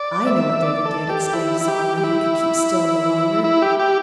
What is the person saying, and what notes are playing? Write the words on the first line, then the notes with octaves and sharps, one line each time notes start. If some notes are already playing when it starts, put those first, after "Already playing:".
"I know what David did," exclaimed Solomon, who could keep still no longer.
Already playing: D5
E5
D5
A4
G4
E4
E4
G4
G4
E4
E4
G4
G4